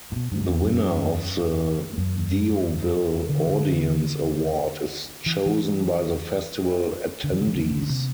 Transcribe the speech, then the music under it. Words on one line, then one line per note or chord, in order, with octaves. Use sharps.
The winner of the Deauville Audience Award is chosen by the festival attendees.
A2
B2
G2
F#2
E2
F#2
F#2
D3
E3
D3
E3
E3
D3
E3
D3
E3
D3
E3
D3
D3
C3